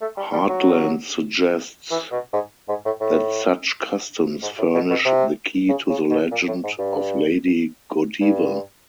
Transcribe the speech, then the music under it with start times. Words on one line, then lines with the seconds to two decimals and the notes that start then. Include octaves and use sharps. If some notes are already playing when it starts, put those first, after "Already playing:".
Hartland suggests that such customs furnish the key to the legend of Lady Godiva.
0.01 A3
0.17 G3
0.32 G3
0.49 F#3
1.91 E3
2.12 B2
2.33 G#2
2.69 G#2
2.86 A2
3.00 A2
4.42 G#2
4.58 A2
4.75 B2
4.90 B2
5.05 C3
5.69 C#3
5.89 C#3
6.10 B2
6.31 A#2
6.48 A2
6.64 G#2
6.79 G2
8.21 G2